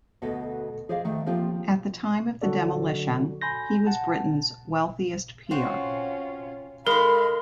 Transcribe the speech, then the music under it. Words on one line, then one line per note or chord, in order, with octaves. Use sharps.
At the time of the demolition, he was Britain's wealthiest peer.
D2 B2 B3 A4 D#5
G#4 C5 D5 D#5 F5
D#3 A3 G5
F3 A#3 C4 F4 G4
D3 F#3 D4 F#4 A4 D5
G#5 B5 C6 G6 A#6
F#5 A5
C4 C#4 F4 F#4
G#3 D#4 A4 A#4 D#5 F5 B5